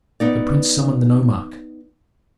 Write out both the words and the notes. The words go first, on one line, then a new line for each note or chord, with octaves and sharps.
The prince summoned the nomarch.
B3 D#4 D5